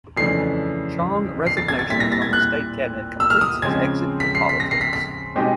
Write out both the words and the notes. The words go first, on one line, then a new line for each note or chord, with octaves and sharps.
Chong resignation from the state cabinet completes his exit in politics.
F2 C#3 E3 A3 D4 C7
C7
A6
G#6
A6
A#2 G3 C4 E4 B6
A#6
A6
G#6
F#6
E6
F6
D#6
C#3 F3 G#3 C4 G#6
B6
C7
B6
A#6
C7
B6
B6
B2 G#3 C4 D#4 G4